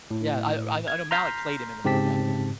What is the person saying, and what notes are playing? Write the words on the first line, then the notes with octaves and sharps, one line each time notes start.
Yeah, I o I I know Malek played him in the movie, I don't know.
A2
G#6
A#5 C6 F6 G6 B6 C7
G#2 C#3 C4 G4 A5 B6